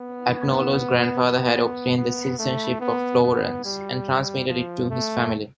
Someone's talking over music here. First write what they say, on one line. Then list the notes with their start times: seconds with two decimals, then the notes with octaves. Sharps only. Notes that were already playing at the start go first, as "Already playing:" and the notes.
Agnolo's grandfather had obtained the citizenship of Florence and transmitted it to his family.
Already playing: B3
1.98 B3
2.39 A3
2.80 B3
3.23 B3
3.65 G3
4.48 F3
4.90 A3